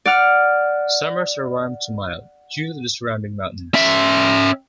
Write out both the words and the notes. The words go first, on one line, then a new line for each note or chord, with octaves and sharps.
Summers are warm to mild, due to the surrounding mountains.
D5 F#5 F6
C#4 E5